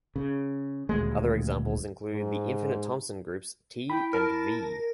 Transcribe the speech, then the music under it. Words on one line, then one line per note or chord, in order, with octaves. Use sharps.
Other examples include the infinite Thompson groups "T" and "V".
C#3
D#1 D2 G#3
G#2
E4 G5 B5
A#4 A5